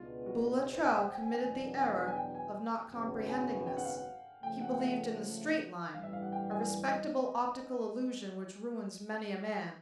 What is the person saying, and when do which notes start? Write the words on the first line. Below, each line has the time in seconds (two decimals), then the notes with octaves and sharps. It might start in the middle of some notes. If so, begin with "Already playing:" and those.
Boulatruelle committed the error of not comprehending this. He believed in the straight line; a respectable optical illusion which ruins many a man.
Already playing: C#2 B2 G#3 B3 D4 F4
0.26 F#4
0.73 C5
0.82 E5
0.93 F#5
1.01 G5
1.12 G5
1.21 G#5
1.31 G5
1.40 E2 B2 F#3 B3 D4 G#5
1.77 G#5
2.08 G#5
2.16 G5
2.35 G#5
2.91 G#1 F#2 C#3 F#3 B3
3.29 G#5
3.67 G5
3.77 F#5
3.85 F5
3.95 F#5
4.42 C#3 F3 A3 G5
4.61 F#5
4.71 G5
4.80 F#5
5.94 A1 G2 E3 G3 F5
6.03 E5
6.13 F5
6.22 F#5
6.32 G5
6.51 G#5
6.88 D#5